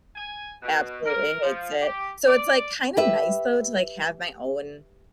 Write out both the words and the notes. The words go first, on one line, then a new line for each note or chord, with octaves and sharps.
absolutely hates it, so it's, like, kinda nice though, to, like, have my own
G#5
B2
A#4
F3
G4
D5
G4 B4 E5